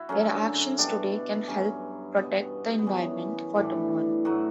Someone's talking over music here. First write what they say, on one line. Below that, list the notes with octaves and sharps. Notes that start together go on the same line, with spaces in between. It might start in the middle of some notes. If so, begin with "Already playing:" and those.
Your actions today can help protect the environment for tomorrow.
Already playing: E4 F#4
F#2 D3 F#3 C#4
B2 G3 D4
G2 F#3 C#4
B2 G3 B3
B3
F#2 E3 G3 C#4
A2 E3 G3 D4
A2 F#3 F#4